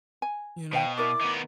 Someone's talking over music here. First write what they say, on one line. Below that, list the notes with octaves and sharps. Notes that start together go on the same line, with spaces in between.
You know
G#5
B2 C5 F5 G5
E4 A#4 D5 D6
D#3 B3